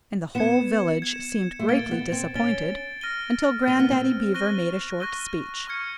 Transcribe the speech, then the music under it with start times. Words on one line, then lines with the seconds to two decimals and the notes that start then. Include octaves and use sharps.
And the whole village seemed greatly disappointed, until Grandaddy Beaver made a short speech.
0.35 B3 G#6 C#7 E7
1.02 G#6 C#7 E7
1.59 A3
1.68 A#3 A6 D7 G7
1.91 B3
2.12 C4
2.35 C#4 A6 D7 G7
3.01 F6 A#6 D#7 G7
3.68 C4 F6 A#6 D#7 G7
3.79 B3
3.91 C4
4.34 C#6 F#6 A#6 D#7 G7
5.00 C#6 F#6 A#6 D#7 G7
5.67 C#6 F6 G#6 C#7